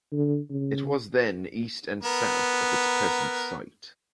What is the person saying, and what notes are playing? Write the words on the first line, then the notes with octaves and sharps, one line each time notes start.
It was then east and south of its present site.
D3
C#3
B3 A#4